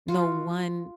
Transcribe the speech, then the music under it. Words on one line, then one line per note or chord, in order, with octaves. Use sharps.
no, one
F4 F#4